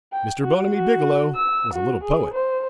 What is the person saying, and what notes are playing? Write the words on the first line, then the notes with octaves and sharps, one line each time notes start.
Mr. Bonamy Biggielow was a little poet.
G5
F#4
F#4
E6
F#4
G#4
C5